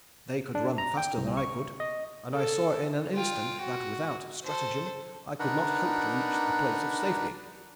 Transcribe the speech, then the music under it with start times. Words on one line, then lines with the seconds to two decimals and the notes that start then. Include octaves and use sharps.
They could run faster than I could, and I saw in an instant that without stratagem I could not hope to reach a place of safety.
0.55 D4
0.78 A#5
0.97 G5
1.17 C2
1.37 C#6
1.80 D#5
2.34 A4
3.14 F4 G5
3.61 F#4
4.45 A4 C5
5.39 D4 D#4 A#4 B4 F#5